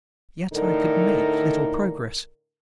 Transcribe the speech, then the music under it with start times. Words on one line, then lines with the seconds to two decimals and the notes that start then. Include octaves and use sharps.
Yet I could make little progress.
0.53 A2 D3 D4 D#4 A4 A#4